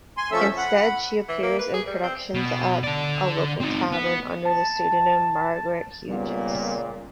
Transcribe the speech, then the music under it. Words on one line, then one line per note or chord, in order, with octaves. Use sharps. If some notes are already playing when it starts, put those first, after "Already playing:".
Instead, she appears in productions at a local tavern under the pseudonym Margaret Hughes.
G#5 C6
F3 A3 C#4 A4 E5 E6
F#5 B5
E3
A#3
B4
G#4
G3
C4
B2
D3 D5
C4 D#4
B3
A5
C#2 A#2 G3 B3